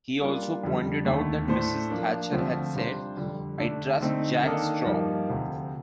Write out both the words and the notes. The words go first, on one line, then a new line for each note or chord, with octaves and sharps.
He also pointed out that Mrs Thatcher had said, I trust Jack Straw.
G3 A#3 D4 F4
F2 D3 G3
D#2 D3 A3
A2 A3 D4 A4 C5
F3 A#3 D4
D2 D3 F3 A3 C4
C3 G3 D4 F4 C5
F2 D3 G3
D3 A3 D4
D3 A3 C4 D#4
D#3 A#3 D4 A4 D#5
G2 F3 A#3 D#4 G4
D2 C3 F3